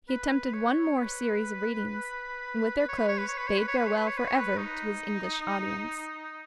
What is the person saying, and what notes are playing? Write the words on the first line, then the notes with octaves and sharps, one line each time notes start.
He attempted one more series of readings, and with their close bade farewell for ever to his English audience.
B4
C#5
B4
B4
C#5
B4
C#5
B4
C#5
B4
C#5
B4
C#5
B4
C#5
B4
C#5
B4
C#5
B4
D#4